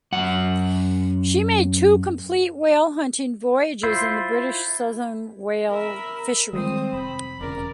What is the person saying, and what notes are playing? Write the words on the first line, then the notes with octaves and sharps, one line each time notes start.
She made two complete whale hunting voyages in the British Southern Whale Fishery.
F#2 F#5
E4 F4 C5
A#4 E5 B5
D#3 G3 G#3 C4 C5 D#6
F1 B5
E1 C#3 A#4 D5